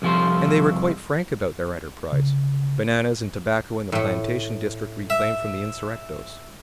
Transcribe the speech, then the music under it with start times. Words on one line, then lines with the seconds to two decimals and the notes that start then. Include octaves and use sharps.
And they were quite frank about their enterprise--bananas and tobacco in the plantation district reclaimed from the insurrectos.
0.02 C2 F2 F3 A3 C5
2.12 C#3
3.92 A2 A3
5.10 E5